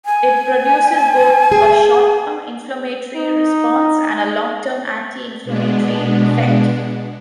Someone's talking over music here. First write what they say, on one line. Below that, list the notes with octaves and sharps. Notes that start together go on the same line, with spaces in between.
It produces both a short-term inflammatory response and a long-term anti-inflammatory effect.
G#5
G#4
D#4
B2 G#3 B3 D4